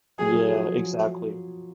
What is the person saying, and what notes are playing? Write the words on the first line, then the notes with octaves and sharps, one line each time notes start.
Yeah, exactly.
F#3 G#4
F#3
F3